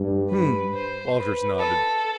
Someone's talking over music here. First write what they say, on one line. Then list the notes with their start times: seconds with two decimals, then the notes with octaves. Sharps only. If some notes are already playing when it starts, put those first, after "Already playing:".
"Hmm," Walters nodded.
Already playing: G2
0.30 B4
0.73 C5
1.16 B4
1.59 A4